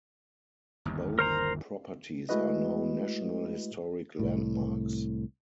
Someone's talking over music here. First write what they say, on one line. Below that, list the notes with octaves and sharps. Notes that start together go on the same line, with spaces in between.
Both properties are now National Historic Landmarks.
G1 D#2
A#4 C5 A#5
G#3 A3 E4 F#4 B4 D#5
C2 A2